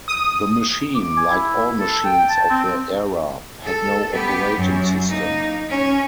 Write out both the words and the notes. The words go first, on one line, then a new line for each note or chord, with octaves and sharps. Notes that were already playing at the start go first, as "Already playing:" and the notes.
The machine, like all machines of the era, had no operating system.
D#6
D6
G#5
E4
A4
G5
A5
C4
A4
B3 G4
F#2
A#3 D#4
C#4